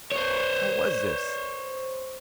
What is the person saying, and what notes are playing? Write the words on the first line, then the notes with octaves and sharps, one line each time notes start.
How was this?
C5 C#5